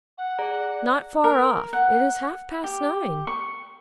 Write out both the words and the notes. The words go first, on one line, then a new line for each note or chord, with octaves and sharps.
'Not far off--it is half-past nine.
F#5
G#4 D5 A#5
A#4
F#5
G4
C#6